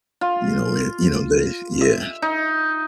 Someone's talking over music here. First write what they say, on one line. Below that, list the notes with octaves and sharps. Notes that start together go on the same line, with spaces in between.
You know, it you know, they yeah.
F4
E5
D#4